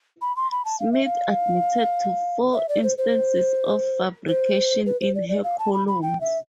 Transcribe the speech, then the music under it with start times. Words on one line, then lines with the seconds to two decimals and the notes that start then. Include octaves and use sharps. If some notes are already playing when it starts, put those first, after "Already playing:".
Smith admitted to four instances of fabrications in her columns.
0.21 B5
0.36 C6
0.51 B5
0.65 A5
0.80 F5
0.92 E5
1.05 F5
2.53 E5
2.69 D5
2.83 C5
2.98 C5
4.28 C5
4.86 B4
5.01 C5
5.15 D5
5.29 D5
5.44 F5
5.59 A5
5.73 B5
5.88 B5
6.02 G5
6.21 E5